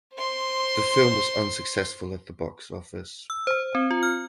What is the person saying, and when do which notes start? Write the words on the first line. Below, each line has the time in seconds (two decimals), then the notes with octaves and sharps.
The film was unsuccessful at the box office.
0.14 C5 C6
3.30 E6
3.47 C5
3.75 C4
3.91 F4
4.03 F6